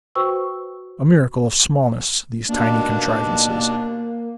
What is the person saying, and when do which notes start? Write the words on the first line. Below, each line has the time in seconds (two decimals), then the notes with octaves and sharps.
A miracle of smallness, these tiny contrivances.
0.15 F#4 B4 C5 G5 C#6 E6
2.49 D#2 B2 A#3 D4